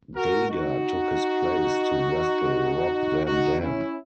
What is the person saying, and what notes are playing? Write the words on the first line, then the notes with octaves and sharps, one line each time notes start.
Daga took his place to wrestle Rob Van Dam.
F#4 A#4
D#4 F#4
D#4 F#4
C#4 E4